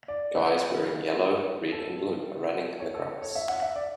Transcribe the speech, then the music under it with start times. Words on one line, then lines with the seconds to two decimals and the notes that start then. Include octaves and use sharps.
Guys wearing yellow, red, and blue are running in the grass.
0.08 D5
0.35 B4
1.72 A4
2.80 C#5
2.94 A4
3.22 C#5
3.35 E5
3.48 F#5
3.62 E5
3.76 D5